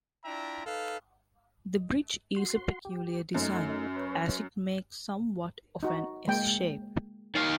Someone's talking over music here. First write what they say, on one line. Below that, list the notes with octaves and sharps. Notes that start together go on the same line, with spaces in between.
The bridge is a peculiar design, as it makes somewhat of an "S" shape.
D4 E4 F4 E5 G5 A#5
D#4 A4 B4 F5
F#4 C6
G4
F#2 A3 D#4
B4 C#5
D#4 F#4
G#3 A#3 G5
D#3 F5